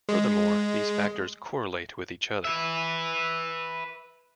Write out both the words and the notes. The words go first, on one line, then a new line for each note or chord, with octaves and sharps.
Furthermore, these factors correlate with each other.
G#3
B4 E5